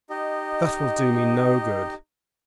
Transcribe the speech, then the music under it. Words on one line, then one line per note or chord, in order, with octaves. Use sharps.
"That will do me no good."
D#4 G4 D#5